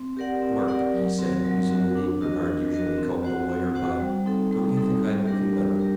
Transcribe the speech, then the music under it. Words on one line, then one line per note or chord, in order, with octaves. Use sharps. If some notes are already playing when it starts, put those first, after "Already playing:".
"Mark," he said, using the name Bernard usually called the lawyer by, "don't you think I am looking better?"
Already playing: C4
G4 A#4 D5 F#5
C4
G4 A#4 D5 F#5
F#3
C4 F#4 A#4
F#3
C4 F#4 A#4
D4
F#4 A#4 D#5
D4
F#4 A#4 D#5
C4
F#4 C5 F#5
C4
F#4 C5 F#5
G3
C4 D#4 A4
G3
C4 D#4 A4
G3
D4 G4 A#4
G3
G4 A#4